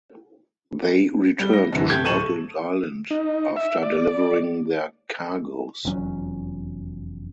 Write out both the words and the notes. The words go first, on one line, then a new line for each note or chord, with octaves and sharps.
They returned to Shortland Island after delivering their cargoes.
G3 G7
A#6
F#2 D3 E3
C3 A3 G4 G6 G#6
D1 A4 C#6 D#7 E7 F#7
D#4
E5
D5
F1 E2 F#3 C#4